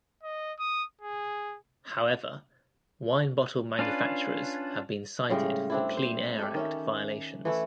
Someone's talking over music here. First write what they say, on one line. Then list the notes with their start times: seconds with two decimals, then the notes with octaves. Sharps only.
However, wine-bottle manufacturers have been cited for Clean Air Act violations.
0.23 D#5
0.59 D#6
1.02 G#4
3.79 C#4 D4 F4 B4
5.30 A2 C#3 G3 G#3
5.70 C4 D4 E4
5.97 C5
6.39 G4 A4
6.54 D#3 C#4 E5
7.45 E3 A3 E4